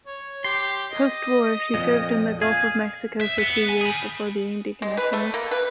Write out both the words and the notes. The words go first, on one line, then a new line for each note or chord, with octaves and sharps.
Post-war, she served in the Gulf of Mexico for two years before being decommissioned.
C#5
G4 C6
D#5
F2 A#2
G#4 F5
E5
B3
G#5
G#4 B5
G#3
B4
A3
A#3
B4